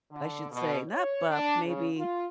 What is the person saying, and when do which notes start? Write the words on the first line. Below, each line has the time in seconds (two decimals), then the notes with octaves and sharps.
I should say. Not buff, maybe
0.11 D3
0.51 B2
0.88 C#5
1.29 D4
1.64 C#3
1.97 F4